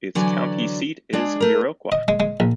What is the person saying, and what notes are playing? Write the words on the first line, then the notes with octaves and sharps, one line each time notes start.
Its county seat is Viroqua.
D3 E3 F#3 D5 G#5
G#3 D4 G#4
A3 A#4
D#5
G#3
G#3
A#1